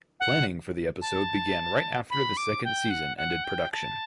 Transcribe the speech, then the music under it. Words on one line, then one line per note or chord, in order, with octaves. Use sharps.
Planning for the episode began right after the second season ended production.
F#5
A5
B5
D6
G5
F#5
F#5
G5
A5